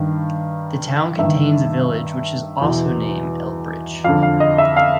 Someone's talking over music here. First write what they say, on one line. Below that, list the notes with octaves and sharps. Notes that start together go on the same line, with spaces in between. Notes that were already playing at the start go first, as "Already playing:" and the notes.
The town contains a village which is also named Elbridge.
Already playing: G2 D#3
G2 D#3 E5
E2 B2
F2 D3 F5
F5
D#5
E5
F5